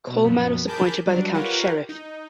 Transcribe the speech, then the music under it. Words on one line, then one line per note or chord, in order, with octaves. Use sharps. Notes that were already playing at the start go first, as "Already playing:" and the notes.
Coleman was appointed by the county sheriff.
B2
F#2 A#2 F3 B3
G#4 A#4 A5 B5 D6 G6
F#3 G3 D4
F4 G4 A#4 B4 C#5 F#5
D#4